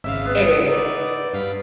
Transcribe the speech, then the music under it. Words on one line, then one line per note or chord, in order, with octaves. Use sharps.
It is.
G#1 C#3 E5 F5
B3
D#4 D5
D5
G2 F5 B6